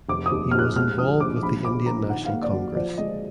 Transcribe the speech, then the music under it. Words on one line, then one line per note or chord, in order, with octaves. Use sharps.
He was involved with the Indian National Congress.
F1 D6
D#6
D#2
D#2 F6
F#6
G#3 F6
A#1 D#6
A#1 D6
A#1 B5
A#2 D6
A#1 A#5
D#3 F#5
F5
A#3
D5
F#3
F3 D5
G#3 D#5